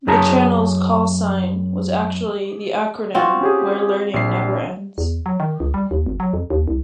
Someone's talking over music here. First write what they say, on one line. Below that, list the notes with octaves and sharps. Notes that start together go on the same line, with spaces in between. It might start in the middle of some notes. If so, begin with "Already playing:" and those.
The channel's "call sign" was actually the acronym "Where Learning Never Ends".
F#2 C#4 G#4 A5 A#5
C4 F4 F#4
C#4 G4 G#4
A#1 C7
E2
F#3
D#3
C#2
G3
D#2
G#1
F#3
F2
D#2
C2